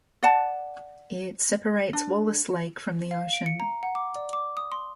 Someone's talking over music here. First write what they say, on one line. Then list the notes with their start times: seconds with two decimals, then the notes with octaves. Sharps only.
It separates Wallis Lake from the ocean.
0.23 D5 F#5 A5
1.93 D4
3.11 F5
3.33 D7
3.46 C#7
3.60 A#5
3.83 F#5
3.95 D6
4.15 D5
4.33 D6
4.57 D#6
4.72 C6